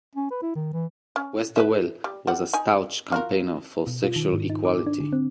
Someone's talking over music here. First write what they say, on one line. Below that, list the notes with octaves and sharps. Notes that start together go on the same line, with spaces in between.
Westerwelle was a staunch campaigner for sexual equality.
C#4
B4
E4
D#3
E3
C#4
B4 C5 E5
G3
G3 F#5
D#4 G#5
F4 F#4 A#4
B2
F4
D#3
G#2
D#4
D6
D4
D3
C4